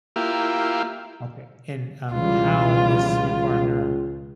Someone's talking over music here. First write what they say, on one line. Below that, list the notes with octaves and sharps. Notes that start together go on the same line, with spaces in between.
Okay. And, um, how is your partner
A#3 E4 F4 G4
C#2 B2 E3 G3 F4